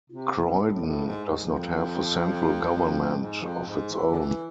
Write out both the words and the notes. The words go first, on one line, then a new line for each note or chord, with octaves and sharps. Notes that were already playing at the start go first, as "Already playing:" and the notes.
Croydon does not have a central government of its own.
C3
B2
A2
A2
G#2
G#2
F2
G#2
F2
G#2
E3
D3
E3